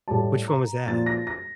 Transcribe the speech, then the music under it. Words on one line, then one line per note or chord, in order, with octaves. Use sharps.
Which one was that?
A2 G3 A5
A#5
A#2 F3 A6
A#6
A#6